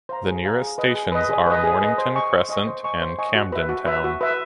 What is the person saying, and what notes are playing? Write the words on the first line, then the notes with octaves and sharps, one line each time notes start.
The nearest stations are Mornington Crescent and Camden Town.
C5 F5 A#5
G#4
C5 F5 A#5
G#4
B4 D#5
G#4
B4 D#5
G#4
B4 D#5
G#4
B4 D#5
C5
D#5 G#5 C#6
C5
D#5 G#5 C#6
C5
D#5 G#5 C#6
C5
D#5 G#5 C#6
F#4
B4 E5
F#4
B4 E5
F#4
B4 E5